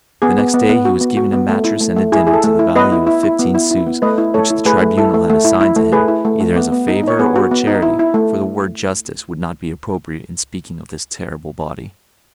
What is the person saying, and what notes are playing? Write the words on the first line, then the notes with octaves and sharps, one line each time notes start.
The next day he was given a mattress and a dinner to the value of fifteen sous, which the Tribunal had assigned to him, either as a favour or a charity, for the word justice would not be appropriate in speaking of this terrible body.
B3 G#4
B3
B3
B3
F#4
B3
F#4
B3
A3
E4
A3
A3
E4 G#4
E4 G#4
A4
A3
E4
B3 B4 D#5
E4
E4
E4
B3
E4
E4
B3
A3 B4 D#5
E4
A3 A4 C#5
E4
A3 G#4 B4
A3
E4 A4
A3
A3
E4
E4
A3
A3 G#4 B4
E4
A3
A3
B3
B3
D#4
D#4 C#5
B3 G#4 B4
F#4
B3
D#4
E4
E4
A3